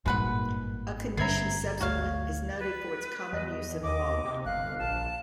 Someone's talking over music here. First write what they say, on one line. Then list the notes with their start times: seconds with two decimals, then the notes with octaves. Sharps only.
A condition subsequent is noted for its common use in the law.
0.06 G#1 G2 A#2 G#3 A#3 B4 F#5
1.17 G2 D3 B3 E5 A#5 G#6 C7
1.80 D2 F#4 C#5 F5 G#6
2.59 B4
3.33 E2 D#5
3.83 D#2 D#5 D6
4.25 C3
4.45 G1 F5 F#6
4.79 A#1 A5